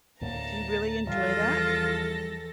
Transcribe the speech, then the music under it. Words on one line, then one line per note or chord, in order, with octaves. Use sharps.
Do you really enjoy that?
D2 A2 A#3 A5 A#5
E2 F3 G3 F4 A4 A#6